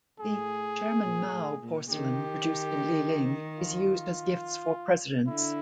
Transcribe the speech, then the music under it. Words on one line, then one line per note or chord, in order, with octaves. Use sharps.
The "Chairman Mao" porcelain produced in Liling is used as gifts for presidents.
A2 G#4
A#2
A2
A#2
D#3 G4
F4
D3 E4